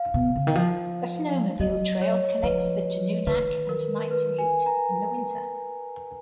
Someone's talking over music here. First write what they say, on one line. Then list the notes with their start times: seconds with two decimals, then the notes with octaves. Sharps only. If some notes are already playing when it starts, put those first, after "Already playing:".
A snowmobile trail connects the Tununak and Nightmute in the winter.
Already playing: F5
0.14 B2
0.36 C#3
0.47 D#3
0.55 F3
1.60 F#3 D#5
2.01 C#5
2.43 F3 B4
3.27 D#3 B4
3.69 A#4
4.11 B4
4.38 G#5
4.66 A#5